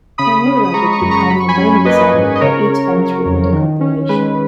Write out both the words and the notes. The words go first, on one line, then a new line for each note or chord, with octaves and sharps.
Nomura would become the main designer for each entry in the "Compilation".
C#3 B5 D#6
C#4
D#6
G#3 A#5 C#6
A#5 C#6
F#2
A#5 C#6
F#3 B5
C#6
G#5 B5
C#4
A#3 B4 D#5
G#2
D#5
C#3 A#4 C#5
C#4
F#3
F2
D#3
C#4
G#3 B4